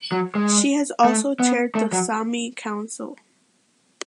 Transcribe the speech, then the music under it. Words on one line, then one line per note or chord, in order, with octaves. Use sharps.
She has also chaired the Saami Council.
F#3
G#3
A3
B3
A3
F#3